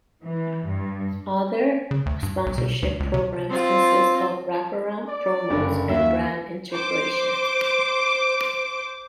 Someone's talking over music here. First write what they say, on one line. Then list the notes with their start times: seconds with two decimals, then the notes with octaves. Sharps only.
Other sponsorship programs consist of wraparound promos and brand integration.
0.24 E3
0.65 G2
1.91 C#3
2.06 D2
2.23 G2
2.46 B1
2.58 B2
2.83 D2
3.00 C#2
3.14 C3
3.50 C4 F4
5.08 D5
5.50 F#1 G2 D3
5.89 D#2 E5
6.72 C5 D6